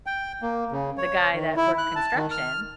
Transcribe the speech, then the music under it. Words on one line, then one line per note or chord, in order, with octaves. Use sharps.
the guy that worked construction,
G5
A#3
C#3
C#5
D#3
E4
F#6
A5
D#3
F6